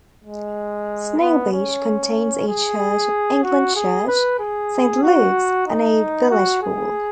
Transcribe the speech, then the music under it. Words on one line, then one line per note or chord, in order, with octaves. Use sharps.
Snailbeach contains a Church of England church, Saint Luke's, and a village hall.
G#3
B3
C#4
G#4
F#4
G#4
B4
G#4
F#4
D#4
F#4
G#4